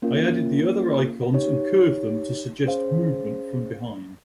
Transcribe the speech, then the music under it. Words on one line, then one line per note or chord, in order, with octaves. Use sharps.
I added the other icons and curved them to suggest movement from behind.
A#3 C#4 F4 A#4 F5
D#4 G4 C#5
C#4 G#4 C5 F5